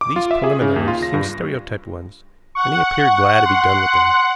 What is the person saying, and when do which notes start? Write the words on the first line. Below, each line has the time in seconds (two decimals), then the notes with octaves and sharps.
These preliminaries seemed stereotyped ones, and he appeared glad to be done with them.
0.01 D6
0.16 F4
0.31 E5
0.44 G#4
0.62 C#3
0.76 D#2
0.88 F4
1.03 A#6
1.14 G2
2.55 F#5 C#6
3.46 C6